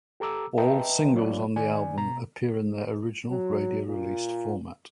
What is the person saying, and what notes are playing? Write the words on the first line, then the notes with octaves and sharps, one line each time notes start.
All "singles" on the album appear in their original radio released format.
G4 A4 A#5 D6 E6
B4 D#5 E5 G5 A5 A#5
F#3 A#3 F4 C#5 D5
D#3 D5 G#5
B2 A#5
F#3
A#2